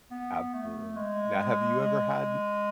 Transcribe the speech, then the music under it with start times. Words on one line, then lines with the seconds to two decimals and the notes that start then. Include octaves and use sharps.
Absolutely. Now, have you ever had n
0.11 B3
0.54 A3
0.96 G#3
1.38 G#3
1.80 G#3